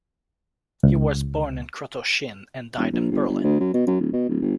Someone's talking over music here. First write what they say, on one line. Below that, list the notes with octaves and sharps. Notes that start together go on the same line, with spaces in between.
He was born in Krotoschin and died in Berlin.
C#2
E1
A#1
G1
G1
D2
F#2
B2
F#2
D1
B2
D1
G1